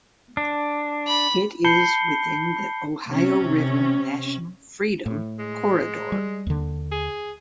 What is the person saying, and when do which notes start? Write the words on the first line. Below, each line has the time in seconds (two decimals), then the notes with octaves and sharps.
It is within the Ohio River National Freedom Corridor.
0.37 D4
1.07 B5
1.64 A5 B5 G6 C7 C#7 G7
3.08 C3 C#4
5.06 A2
5.39 G#3
6.12 G3
6.47 D#2 D3
6.92 G#4